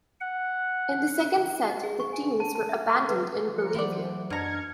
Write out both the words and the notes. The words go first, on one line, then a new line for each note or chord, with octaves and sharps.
In the second set, the teams were abandoned in Bolivia.
F#5
D#5
G#4
C#6
G#5
A5
A5
E5
C6
B4
F3 A#4 C#7
E3 F#3 E4 C5 D5
F#2 B2 D4 A#5 F6 G#6 C#7